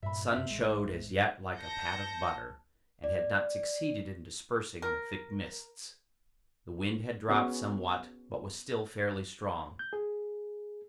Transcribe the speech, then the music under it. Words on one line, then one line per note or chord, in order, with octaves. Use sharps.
The sun showed as yet like a pat of butter, and had not succeeded in dispersing the thick mists; the wind had dropped somewhat, but was still fairly strong.
G2 A#2 E5 B5
F#2 B3 C#4 C5 E5
A1 G#3
A5 G6 A#6 C#7
D5
A#4
B3 C#4 F#4 G#4 B4 C#5
G6
G#4